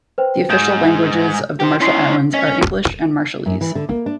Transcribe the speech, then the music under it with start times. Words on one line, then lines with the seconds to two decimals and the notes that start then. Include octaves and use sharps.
The official languages of the Marshall Islands are English and Marshallese.
0.18 B4 C5 G5
0.50 G#2 G6 E7
1.60 G4 C5
1.81 C#4 D#4 E4 C6 C7
2.34 C#4 D#5 B6
3.46 F#2
3.61 E3
3.75 D3
3.89 A#3
4.06 D4